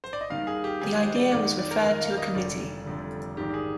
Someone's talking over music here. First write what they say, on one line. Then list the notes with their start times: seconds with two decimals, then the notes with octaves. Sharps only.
The idea was referred to a committee.
0.04 C5
0.13 D5
0.21 D#5
0.30 D#2 D#3 G3 F5
0.47 G#4
0.64 G4
0.81 D#2 D#3 G3 G#4
0.98 C5
1.16 D5
1.32 F2 D#3 G3 D5
1.59 D5
1.71 A#4
1.83 F2 D#3 G3 A#4
2.01 F5
2.18 D#5
2.35 F1 F2 D3 G3 D5
2.85 F1 F2 D3 G3
3.37 A#1 G#2 D#3 G4
3.54 G#4